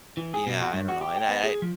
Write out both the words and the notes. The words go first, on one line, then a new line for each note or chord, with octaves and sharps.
Yeah, I don't know, and I I
E3
G#4
B2
F#4
G2
F#4
G4
G5
B3
G#4
F3